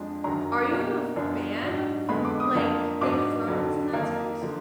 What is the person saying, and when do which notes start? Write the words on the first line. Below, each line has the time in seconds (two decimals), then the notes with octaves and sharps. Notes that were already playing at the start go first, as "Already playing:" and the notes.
Are you a fan of, like, Game of Thrones in that series?
Already playing: F2 F3 G#3 D4
0.24 F#2 D#3 F#3 D4 A#5
0.71 B2 A#3 D4
1.16 F#2 F3 B3 D4
1.62 G#2 F#3 D4
2.09 F2 D3 G#3 B3 B5
2.25 D6
2.40 D#6
2.55 F2 F3 A#3 D4
3.01 G#2 F#3 D4 D6
3.47 F2 D3 F#3
3.93 F2 D#3 A#3
4.42 D3 F3